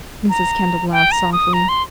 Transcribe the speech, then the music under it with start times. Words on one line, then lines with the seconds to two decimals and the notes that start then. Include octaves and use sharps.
Mrs. Kendall laughed softly.
0.30 A#5
0.92 G5
1.12 A#5
1.32 D#6
1.53 A#5
1.69 C6